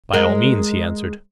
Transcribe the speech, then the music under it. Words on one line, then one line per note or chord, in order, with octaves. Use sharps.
"By all means!" he answered.
G#3 A#4